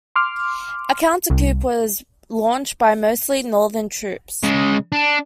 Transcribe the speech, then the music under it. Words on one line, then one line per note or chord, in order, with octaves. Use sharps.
A counter-coup was launched by mostly northern troops.
C6 D6 F6
C2
C#3 G#3
D4